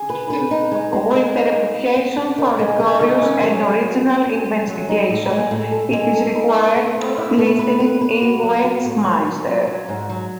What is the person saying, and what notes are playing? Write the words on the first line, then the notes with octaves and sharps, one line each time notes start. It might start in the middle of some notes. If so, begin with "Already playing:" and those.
With a reputation for rigorous and original investigation, it is required listening in Westminster.
Already playing: G#4
B4
B4
D#4
G#3
G#3
G#3
D#4
B3
B3
B3
B3
D#3
G#3
G#3
D#3
C#4
F#3
F#3
F#4
F#4
C#4
C#4
F#3
D#4
A2
G#3
A2
A4
G#3
A4
D#4
E4
A3
B4
E4
A3
B4
B4
B4
F#4
F#3
F#4
A2
F#4
F#3
F#3
F#3
G#2
F#3